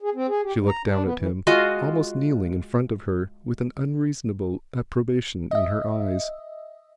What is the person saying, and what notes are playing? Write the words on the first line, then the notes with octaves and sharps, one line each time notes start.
She looked down at him, almost kneeling in front of her, with an unreasonable approbation in her eyes.
G#4
C4
G#4
G4
G#2
A#5
D4
B3
E3
G#3 F4 F#4 D#5
D#5 E5